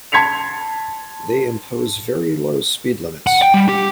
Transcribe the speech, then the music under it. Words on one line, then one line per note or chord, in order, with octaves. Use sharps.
They impose very low speed limits.
A5 C6 G#6 B6 C#7 F7
F#5
G5
G3
G4